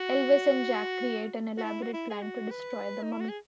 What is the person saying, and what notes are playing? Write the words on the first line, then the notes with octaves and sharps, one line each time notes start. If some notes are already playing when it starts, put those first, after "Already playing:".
Elvis and Jack create an elaborate plan to destroy the mummy.
Already playing: F#4
F#4
E4
F#4
E4
G#4
F#4
B4
D#4
E4
F#4
G#4